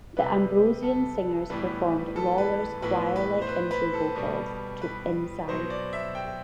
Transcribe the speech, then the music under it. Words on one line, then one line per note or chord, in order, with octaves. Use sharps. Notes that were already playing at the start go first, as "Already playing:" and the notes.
The Ambrosian Singers performed Lawlor's choir-like intro vocals to "Inside".
C3 G3 B3 B4
A4
A2 E3 G3 B3 B4
A4
B4
A2 E3 B3 B4
B4
C5
B4
B4
A4
B2 G3 B3
B4
B2 F#3 B3 C5
D5
E5
G5